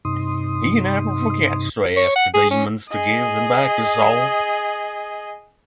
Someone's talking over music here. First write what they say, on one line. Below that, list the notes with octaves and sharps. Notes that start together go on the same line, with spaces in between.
He never forgets to ask the demons to give him back his soul.
G2 C3 D#4 C6 D#6
C#5
F#5
G#4
C#4
G#4 D#5